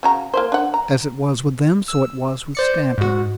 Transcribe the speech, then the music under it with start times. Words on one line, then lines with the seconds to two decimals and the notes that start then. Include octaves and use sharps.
As it was with them, so it was with Stanton.
0.03 C#3 F#4 A#5
0.34 A#3 E4 C5
0.52 D4 F#5
0.74 A#5
1.88 E6
2.55 C5 D5 C#7
2.98 G#2 F#4